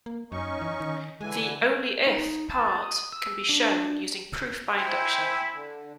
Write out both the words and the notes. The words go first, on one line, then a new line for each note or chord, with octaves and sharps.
The 'only if' part can be shown using proof by induction.
A#3
F#2 C#4 D#4 C#6
E3
D#3
D3 E3 G#3 G#5
D#4
A5
D#6
E6
D4
E4 C5 G5 G#5
D3